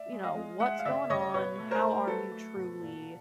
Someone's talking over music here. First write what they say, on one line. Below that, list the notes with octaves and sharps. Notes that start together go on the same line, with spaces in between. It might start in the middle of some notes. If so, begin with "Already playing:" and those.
you know, "What's going on? How are you truly?"
Already playing: D5 E5
G#3
D#5 F5
G#3
G#3 E5 F#5
F5
C#3 D5 E5
C#3 C#5 D#5
B2 B4 C#5
A3
A#4 C5
A3
F#3 A4 B4
A3
B2
A#2